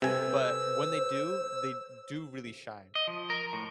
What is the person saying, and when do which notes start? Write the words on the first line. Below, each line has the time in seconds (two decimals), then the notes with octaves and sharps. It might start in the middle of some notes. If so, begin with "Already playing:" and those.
But when they do, they do really shine.
0.02 C3 A4 B4 C5 G#5 E6
2.95 D#5
3.07 F3
3.30 A#4
3.53 A2